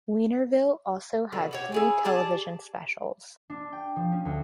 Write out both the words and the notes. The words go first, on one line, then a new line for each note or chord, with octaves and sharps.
Weinerville also had three television specials.
B2 D3 B3
F#4 G4 C#5
E4 G#4 G#5
G4 G#4 D5 A5
D4
G5
F3
C#4
D2